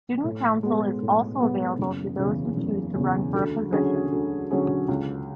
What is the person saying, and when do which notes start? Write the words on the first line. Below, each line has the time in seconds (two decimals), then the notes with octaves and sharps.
Student Council is also available to those who choose to run for a position.
0.24 A2
0.63 G#3 B3
1.02 A2
1.41 G#3 B3
1.79 F#1
2.19 E2 C#3 E3
2.57 F#1
2.96 E2 C#3 E3
3.34 D2
3.72 D3 F#3 C#4 G#4
4.12 D2
4.51 D3 F#3 C#4 G#4
4.88 C#2